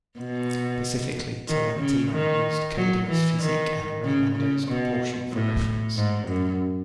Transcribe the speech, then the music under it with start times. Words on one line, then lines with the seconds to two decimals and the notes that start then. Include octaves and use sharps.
Specifically, Tolentino used Caedo's physique and Raymundo's proportion for reference.
0.19 B2
1.48 D#3
1.80 C#3
2.11 D#3
2.76 F#3
3.08 E3
3.40 D#3
4.05 C#3
4.36 C#3
4.68 B2
5.32 A2
5.96 G#2
6.28 F#2